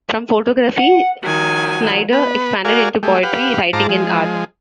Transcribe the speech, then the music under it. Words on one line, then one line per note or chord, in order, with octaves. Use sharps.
From photography, Snyder expanded into poetry, writing, and art.
F#5
D#3 F3 F#4 G#5
B3 B4
F#4 A#4 D5 F5 G#5
G#3 A3 G4
G4 B4 F5 F#5
G#2 F4 C5 A5 A#5 D6
F3 G#3